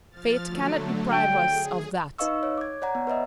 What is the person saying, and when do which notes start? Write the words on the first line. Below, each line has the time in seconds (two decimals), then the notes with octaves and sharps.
Fate cannot deprive us of THAT.
0.11 F3 F6 A6
0.45 D3 F#3 A3
1.13 G5
1.49 G#4
2.18 D#4 B4 D#5 F5 C#6 E6
2.43 C#5
2.58 D6 G#6
2.82 C#5 D5 F#5 A#5
2.95 B3
3.07 B4 C#5 D#5 E5